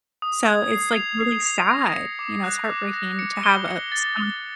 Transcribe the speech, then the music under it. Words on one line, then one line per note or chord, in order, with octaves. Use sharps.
So it's like, really sad, you know, it's heartbreaking to have a skunk
D#6
G#6
C7
F7
C7
F7
A#6
C#7
D6
F#6
D6
A#6
C#7
G7
C#7
A6
G7